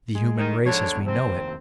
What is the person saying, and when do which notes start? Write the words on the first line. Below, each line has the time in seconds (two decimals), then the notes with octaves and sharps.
The human race as we know it.
0.15 G#3
0.37 D#3
0.65 G#2 D3 F3 C#5
0.91 G1 E2
1.06 F2 C3 F3 C4
1.24 F1 D#2